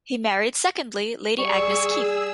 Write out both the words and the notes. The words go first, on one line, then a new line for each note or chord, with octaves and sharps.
He married secondly Lady Agnes Keith.
G3 G#4 C#6 E6